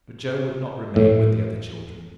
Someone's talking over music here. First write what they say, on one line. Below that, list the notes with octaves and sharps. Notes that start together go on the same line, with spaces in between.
But Joe would not remain with the other children.
A2